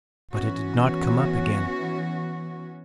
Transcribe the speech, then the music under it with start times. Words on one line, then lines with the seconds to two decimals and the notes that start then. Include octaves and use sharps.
But it did not come up again.
0.32 E3 B3 C#4 F#4